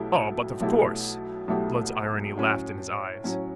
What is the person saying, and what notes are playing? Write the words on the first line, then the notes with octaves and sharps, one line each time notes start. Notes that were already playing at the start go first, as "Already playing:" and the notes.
"Oh, but of course!" Blood's irony laughed in his eyes.
Already playing: B1 B2 A3 E4 G4
B1 B2 A3 E4 G4
B1 B2 A3 E4 G4
A2 F#3 C#4
A2 F#3 C#4